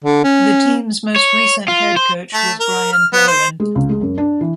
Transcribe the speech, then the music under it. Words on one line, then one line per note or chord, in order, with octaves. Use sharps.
The team's most recent head coach was Brian Pellerin.
D3
C#4
C#5
F4
C5
A3
A#4
F6
B3
C5
G#3
C#2
G#3
F#2
D4
E3